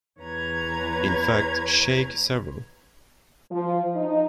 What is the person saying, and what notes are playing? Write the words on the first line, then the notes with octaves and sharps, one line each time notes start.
In fact, shake several.
E2 B4 C#5 A#5 G#6
F3
D#4